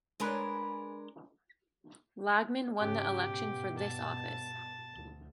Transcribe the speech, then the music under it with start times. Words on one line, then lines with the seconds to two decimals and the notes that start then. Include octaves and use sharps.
Lagman won the election for this office.
0.20 G#3 D4 G#4 A#4 B4
2.78 G#2 C#3 G4
3.25 G2 B2
3.79 A5
4.94 D2